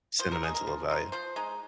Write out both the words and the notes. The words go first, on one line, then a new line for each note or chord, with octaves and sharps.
Sentimental of value.
F3 C5
A#4
C4 D#4 G#4
A#4
F3
C4 D#4
F3 C5
G#3 D#4